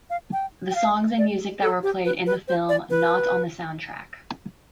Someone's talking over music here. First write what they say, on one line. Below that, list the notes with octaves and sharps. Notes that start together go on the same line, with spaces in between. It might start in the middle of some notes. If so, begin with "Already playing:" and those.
The songs and music that were played in the film not on the soundtrack.
F5
G5
G5
F5
D5
A4
G4
B4
B4
C5
D5
B4